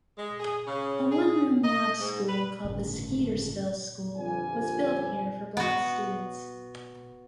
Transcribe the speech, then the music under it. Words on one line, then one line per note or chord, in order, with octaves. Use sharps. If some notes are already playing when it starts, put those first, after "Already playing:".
A one-room log school called the Skeetersville School was built here for black students.
G#3
G#4
C#3
G#4
D#5
G#2
B4
G1 A2 C#3
G1 F2 F3 G3 C5 G#5
B3 F#4